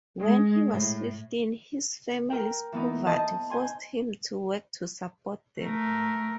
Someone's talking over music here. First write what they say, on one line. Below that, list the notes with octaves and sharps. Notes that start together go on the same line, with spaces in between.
When he was fifteen, his family's poverty forced him to work to support them.
G#3
A2
A#4 G5
E3 B3 D#4
C5 D#5 A5
C5 G#5 C6
A3 A#4